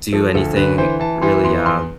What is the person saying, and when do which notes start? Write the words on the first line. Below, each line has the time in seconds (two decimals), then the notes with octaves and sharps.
do anything really, uh,
0.13 F3 A4
0.35 D2 A4
0.56 D3 B4
0.78 E3 C5
1.00 E3 A5
1.21 E3 C6
1.44 E2 C6
1.66 E2 C6